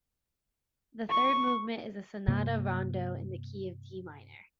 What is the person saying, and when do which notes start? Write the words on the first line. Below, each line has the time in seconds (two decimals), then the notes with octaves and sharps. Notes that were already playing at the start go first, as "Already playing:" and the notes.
The third movement is a sonata-rondo in the key of D minor.
1.09 C#6
2.28 G2 C3 A#3